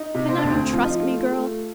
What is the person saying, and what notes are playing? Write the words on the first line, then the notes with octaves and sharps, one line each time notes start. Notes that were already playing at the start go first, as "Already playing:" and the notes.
Cannot you trust me, girl?
Already playing: D#4
C3
C4
D4
D2 C4
F3 F4
D#4
F4
A3
F4
A3